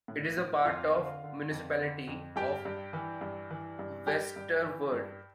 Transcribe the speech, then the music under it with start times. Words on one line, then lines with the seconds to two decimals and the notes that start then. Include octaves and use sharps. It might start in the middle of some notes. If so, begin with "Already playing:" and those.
It is a part of the municipality of Westerveld.
0.08 A2
0.37 A2
0.65 F2 F4 F5
0.95 D3
1.23 D3
1.51 F2
1.79 D3
2.07 F2
2.36 G2 G4 G5
2.65 G2
2.93 E3
3.21 G2
3.51 E3
3.79 G2
4.07 G2 G4 G5
4.36 G2
4.64 E3
4.92 G2